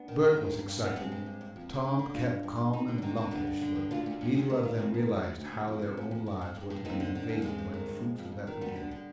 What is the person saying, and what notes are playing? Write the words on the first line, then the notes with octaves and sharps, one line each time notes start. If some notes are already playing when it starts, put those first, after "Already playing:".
Bert was excited, Tom kept calm and lumpish, but neither of them realised how their own lives were to be invaded by the fruits of that beginning.
Already playing: B3 D4
D#3
D#3
G2
G2
G2
G2 B3
G2 G#3 C4
G2
G2
G2
F2
D3
D3
D3
G2 D4 F4
G2
G2
G2
D2 C4 D#4
D3
D4
D3 C4 D#4
D3 D#4
G2 B3 D4
G2
D3
G2
D2 D4 F4
D2
D2
D2
D#3 D#4
D#3 F4
F2 C4 D#4
D#3
D2
D2
D2
D2
F2
C3
F2
F2
G2
G2
G2
G2
D#2 C4 D#4
D3
D3
D#2
G2 G#3 C4
G2
D#3
G2
F2
F2
F2
D#3
D2 G3 B3
D3
D3